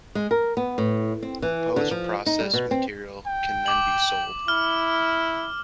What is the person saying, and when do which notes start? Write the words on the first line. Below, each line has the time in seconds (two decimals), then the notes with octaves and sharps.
The post-processed material can then be sold.
0.15 G#3
0.31 A#4
0.57 B3
0.78 A2
1.23 C4
1.42 E3
1.76 D3
1.91 F3
2.26 D#4
2.40 G3
2.54 B2
2.71 C4
3.27 G5
3.66 D6 F#7
4.48 E4 F6